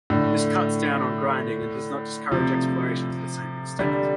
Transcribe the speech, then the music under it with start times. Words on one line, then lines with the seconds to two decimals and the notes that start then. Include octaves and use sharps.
This cuts down on grinding and does not discourage exploration to the same extent.
0.10 A2 D3
2.31 C3 F3
3.79 D3 G3